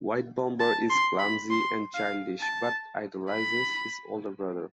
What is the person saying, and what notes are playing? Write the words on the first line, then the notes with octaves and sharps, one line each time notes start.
White Bomber is clumsy and childish, but idolizes his older brother.
A5
C6
B5
C6
F5
A5
B5